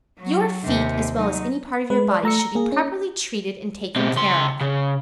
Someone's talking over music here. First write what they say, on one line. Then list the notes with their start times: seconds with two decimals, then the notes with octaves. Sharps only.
YOUR FEET as well as any part of your body, should be properly treated and taken care of.
0.19 F#3
0.65 D#2 C3
1.14 F#3 D#4
1.90 G#3 B4
2.11 D5
2.23 A3 A#5 E6 C#7
2.39 A#5
2.55 A#3 G#4
2.72 C#4
3.96 B2 C4
4.16 C#3 C6
4.61 C#3